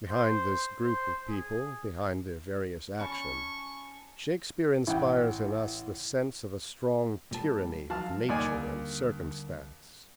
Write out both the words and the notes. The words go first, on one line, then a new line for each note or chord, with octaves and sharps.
Behind this group of people, behind their various action, Shakespeare inspires in us the sense of a strong tyranny of nature and circumstance.
C5
C5
G#4
C#4 A5 B5 C#6
A1 E4 F#5 G5
A#2 G3 A5
F3 F#3 F#4 F5 A5 F6
D#2 D3 G3 A#3 D5 G#5